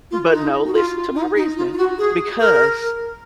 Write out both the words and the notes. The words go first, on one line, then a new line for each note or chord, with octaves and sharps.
but no, listen to my reasoning because
F4
D#4
F#4
F4
D#4
D#4
F4
F4
F#4
G#4
A#4